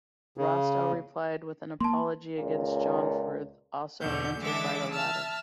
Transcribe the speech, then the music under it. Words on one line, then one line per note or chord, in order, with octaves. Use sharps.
Rastell replied with an "Apology against John Fryth", also answered by the latter.
C#3
A#3 A5 C6
C#2 A#2
E2 B2 D3 G6
D3 E3 G#3 D4 E5 D6
E5 A5 E6 F6